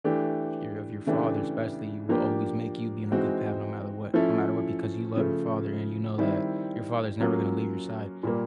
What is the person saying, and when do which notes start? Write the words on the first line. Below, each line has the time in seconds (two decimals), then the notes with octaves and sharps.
your of your father, especially, will always make you be in a good path no matter what, no matter what because you love your father, and you know that your father's never gonna leave your side
0.04 E3 A3 D4 G4
1.06 C#3 E3 A3 D4 G4
2.09 F3 A#3 D4 G4
3.12 E3 G#3 C4 D#4 F#4
4.14 F3 A3 C#4 E4 A4
5.16 C#3 F3 A3
6.18 D#3 G3 C4 E4
7.20 F#3 A#3 C#4 F4
8.23 A#2 G3 A#3